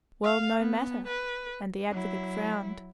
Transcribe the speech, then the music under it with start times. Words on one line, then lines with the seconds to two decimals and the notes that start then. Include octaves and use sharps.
"Well, no matter," and the advocate frowned.
0.24 F5
0.59 B3
1.08 B4
1.91 F#3 E4